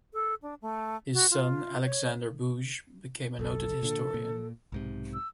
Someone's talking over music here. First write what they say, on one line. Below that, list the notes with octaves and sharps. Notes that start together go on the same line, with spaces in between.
His son Alexander Bugge became a noted historian.
A4
D4
A3
F#4
F4
C#5
F#1 B1 A4
A#2 D3
A#2
B1 G#2 C3
E6